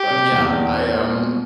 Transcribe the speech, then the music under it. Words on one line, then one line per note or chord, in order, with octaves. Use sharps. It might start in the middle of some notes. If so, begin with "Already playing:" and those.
But, yeah, I, um,
Already playing: G4
C3
E2
E2
C4
A#2
B2